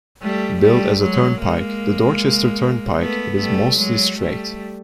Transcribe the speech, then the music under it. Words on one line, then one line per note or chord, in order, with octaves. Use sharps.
Built as a turnpike, the Dorchester Turnpike, it is mostly straight.
G3 A3
G3 A3
F#3 G#3
G#3 A#3
A3 B3
G3 A3
F#3 G#3
G3 A3